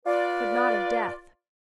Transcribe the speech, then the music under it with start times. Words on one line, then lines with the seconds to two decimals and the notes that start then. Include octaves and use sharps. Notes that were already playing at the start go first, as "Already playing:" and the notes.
But not of death.
0.06 F4 B4 D5